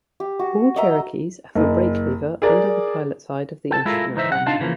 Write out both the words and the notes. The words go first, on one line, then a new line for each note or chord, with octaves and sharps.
All Cherokees have a brake lever under the pilot side of the instrument panel.
G4
F#4
D#5 E5 A#5
F#1
G#4 A#4 D5 A#5
A4 G5 A5
G#3 E4 F4 A4 A#4
C#2 E3 D#4 C5 E5
B1 F#5
D4 D#4 F4 F5 A5
C#3 E3 F3 A#3